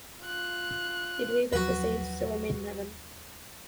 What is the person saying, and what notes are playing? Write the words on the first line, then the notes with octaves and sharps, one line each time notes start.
They believe that the saints still remain in Heaven.
F4 F#6
D#2 F3 F#3 F#4 B4